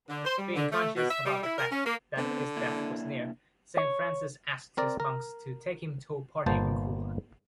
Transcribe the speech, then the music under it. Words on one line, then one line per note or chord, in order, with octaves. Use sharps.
Being conscious about the fact that his death was near, St Francis asked his monks to take him to Portiuncula.
D3
C5
G3
D3
A3
B2
E5
G3
E4
A#4
C#4
A#3
D3 B3 C4
A#3 D4 E4
C#5
C4 A#4 D5
A#4
G1 A#2 A#3 B3 C5 A5